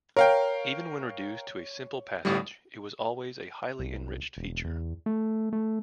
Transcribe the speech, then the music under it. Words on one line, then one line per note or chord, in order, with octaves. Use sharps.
Even when reduced to a simple passage it was always a highly enriched feature.
A#4 C#5 F5 G5
G1 A2 G3
C2
E1
E2
A3
A3